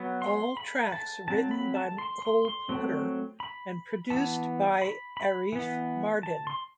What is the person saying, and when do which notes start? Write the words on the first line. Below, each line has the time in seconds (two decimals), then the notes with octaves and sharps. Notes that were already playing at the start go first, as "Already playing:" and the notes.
All tracks written by Cole Porter and produced by Arif Mardin.
Already playing: F#3 B3
0.22 C6
0.57 B5
0.92 A5
1.28 F#3 C4 A5
1.51 B5
1.75 A5
1.98 C6
2.22 C6
2.45 C6
2.69 F#3 A3 C4
3.40 B5
4.10 E3 B3 A5
4.82 B5
5.17 B5
5.52 E3 B3
6.23 A5
6.47 C6